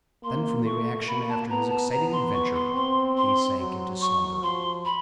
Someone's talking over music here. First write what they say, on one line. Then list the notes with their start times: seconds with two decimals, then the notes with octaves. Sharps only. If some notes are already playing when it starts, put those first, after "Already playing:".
Then from the reaction after his exciting adventure he sank into slumber.
0.24 A#3 C6
0.65 A3 C#6
1.08 A#3 B5
1.29 A5
1.50 B3 A#5
1.70 A5
1.92 B3 A#5
2.13 C6
2.34 C#6
2.54 C6
2.75 C4 C6
3.17 C6
3.60 F#3
4.01 C#6
4.43 F3 C6
4.85 B5